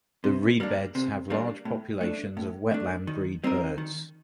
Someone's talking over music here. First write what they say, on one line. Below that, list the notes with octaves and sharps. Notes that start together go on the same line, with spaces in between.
The reed beds have large populations of wetland breed birds.
C3
G3 A#3 D4
C3
G3 A#3 D4
A2
A3 D4
A2
A3 D4
D#3
G3 C4 D#4 A#4
D#3